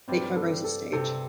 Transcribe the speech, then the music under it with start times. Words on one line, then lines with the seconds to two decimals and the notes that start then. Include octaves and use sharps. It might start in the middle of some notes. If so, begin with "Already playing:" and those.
Late fibrosis stage.
0.08 G2 C4
0.36 A4
0.64 A4
0.92 C3 A4